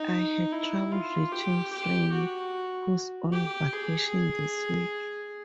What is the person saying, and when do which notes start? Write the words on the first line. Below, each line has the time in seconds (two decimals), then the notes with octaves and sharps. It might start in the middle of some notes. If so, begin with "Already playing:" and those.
I had trouble reaching Franny, who’s on vacation this week.
Already playing: D#4
0.52 E4
0.92 F4
1.32 G4
1.73 G4
2.12 F#4
3.32 G4
3.72 G#4